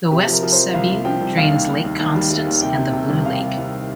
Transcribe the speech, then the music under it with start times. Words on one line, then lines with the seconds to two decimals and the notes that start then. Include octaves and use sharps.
The West Sabine drains Lake Constance and the Blue Lake.
0.11 C3 G4
0.27 F3 A#4
0.43 F3
0.52 C5
0.58 F3
0.74 C2 F5
0.90 C2
1.05 F3 G5
1.21 C2
1.37 D#2 F5
1.52 D#2
1.69 D#2
1.84 D#2
1.99 D#2
2.15 G3
2.30 G3
2.47 D#2
2.62 C3 G5
2.78 C3
2.93 C3
3.09 C2
3.25 C2 F5
3.41 C3
3.57 C2